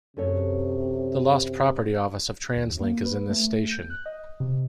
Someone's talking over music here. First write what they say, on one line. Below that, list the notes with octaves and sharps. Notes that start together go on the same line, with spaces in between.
The lost property office of TransLink is in this station.
F#2 C3 A4 C#5
D#2
A#3
B4
A3
G6
F#6
D#5
C3